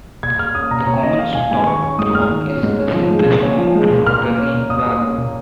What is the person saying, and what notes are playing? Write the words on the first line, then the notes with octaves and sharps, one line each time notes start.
The common stopcock is the simplest form of rotary valve.
A#2 G#6
A#3 F6
C#4 D#6
A#2 A#5
A#2 C#5
A#3 D#5
C#4 F5
A#2 G#5
G#2 G#5
D#3 C#6
C#4 C#6
G#2 D#6
G#2 F6
D#3
C#4
G#2
C#4
F3
G#3
A#2
C#4
F3
G#3
A#2
A#2 F6
A#3
C#4
A#2
A#2 D#6
A#3
C#4
A#2